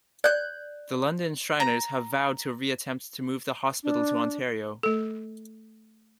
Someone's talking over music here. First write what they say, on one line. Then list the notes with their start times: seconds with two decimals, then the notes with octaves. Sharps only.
The London Shriners have vowed to re-attempt to move the hospital to Ontario.
0.24 D5 F#6 G6
1.60 A#5
3.84 D4
4.83 A3 A4